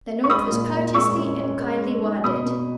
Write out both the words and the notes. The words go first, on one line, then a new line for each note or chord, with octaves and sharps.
The note was courteously and kindly worded.
C#6
G#3 B5 D#6
A#2
A#2
G#3 C#6 E6
C#4
C#4
G#3
G#3
D#4
B2 B5 D#6
B2